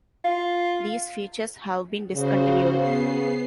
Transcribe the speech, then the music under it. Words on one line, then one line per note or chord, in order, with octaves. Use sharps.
These features have been discontinued.
F4
C#3 F#4 C5
B3 C7